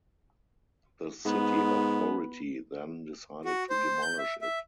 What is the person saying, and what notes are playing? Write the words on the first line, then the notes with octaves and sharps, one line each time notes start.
The city authority then decided to demolish it.
G#2 B3
F#4
C5
G6
E5
E5